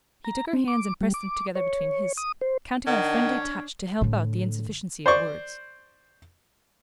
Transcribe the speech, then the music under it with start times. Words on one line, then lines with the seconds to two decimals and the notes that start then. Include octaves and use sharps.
He took her hands and pressed them together between his, counting on a friendly touch to help out the insufficiency of words.
0.24 A#5
0.53 C4
0.68 D6
1.01 G3
1.14 D6
1.55 C#5
2.17 D#6
2.41 C5
2.87 D#3 C#4 D4 F#5
4.01 A2 D3
5.06 C5 D5 C#6